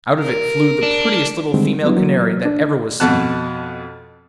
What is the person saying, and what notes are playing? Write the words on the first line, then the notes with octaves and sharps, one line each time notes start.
Out of it flew the prettiest little female canary that ever was seen.
A#4
D4
D3 D#3 G3 G#3 C4
F#3 G3 B3 D4 E4
E3 F#3 A#3
D4
F2 B2 F#5 A5 F#6